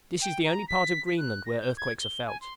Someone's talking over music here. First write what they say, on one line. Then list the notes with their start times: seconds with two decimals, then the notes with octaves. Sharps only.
This is the only part of Greenland where earthquakes are felt.
0.21 G5
0.44 A#5
0.68 B6
1.06 B6
1.17 F#6
1.45 A#6
1.60 G6
1.77 G#6
2.00 G7
2.25 G#5
2.41 C6